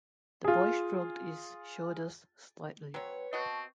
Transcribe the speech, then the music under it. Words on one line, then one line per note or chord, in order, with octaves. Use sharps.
The boy shrugged his shoulders slightly.
F4 G#4
F#3 C4 B4 C#5
B3 C4 F#4 D#5 A5 C#6